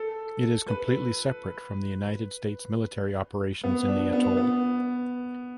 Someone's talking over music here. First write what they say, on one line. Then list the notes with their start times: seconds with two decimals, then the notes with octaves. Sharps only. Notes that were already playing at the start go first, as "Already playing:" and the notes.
It is completely separate from the United States military operations in the atoll.
Already playing: A4
0.68 B4
3.64 B3
3.88 D4
4.13 B3
4.37 B3